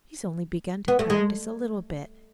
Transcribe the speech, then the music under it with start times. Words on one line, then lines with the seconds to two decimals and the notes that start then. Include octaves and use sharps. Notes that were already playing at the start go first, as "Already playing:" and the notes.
He's only begun to practice a little bit.
0.88 B3
0.99 A3
1.10 G#3